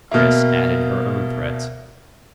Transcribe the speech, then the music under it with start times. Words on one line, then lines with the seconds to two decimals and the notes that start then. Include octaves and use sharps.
Chris added her own threats.
0.12 B2 A#3 E5 F6